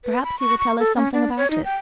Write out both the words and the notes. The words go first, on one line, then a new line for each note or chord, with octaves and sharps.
"Perhaps he will tell us something about it."
B4
B5
C#6
C#6
A4
C#4
D4
C#5
D#4
G5